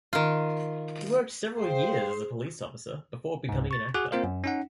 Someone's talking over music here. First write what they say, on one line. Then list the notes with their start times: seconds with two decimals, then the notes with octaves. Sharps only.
He worked several years as a police officer before becoming an actor.
0.13 D#3 F4
1.58 G#4 C5 F5 G5
3.49 C#2 G#2
3.71 C#6 A6
3.94 F#4 G#4 F#5 G#5 D6 F#6
4.12 A#3 C4 F4 A#4 C5 F5
4.24 F#2
4.44 C#4 D#4 F#5